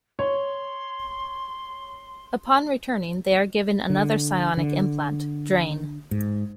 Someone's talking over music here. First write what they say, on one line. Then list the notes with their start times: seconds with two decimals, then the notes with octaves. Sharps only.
Upon returning, they are given another psionic implant, drain.
0.19 C#5 C6
3.90 D3
4.57 D3
6.11 G#2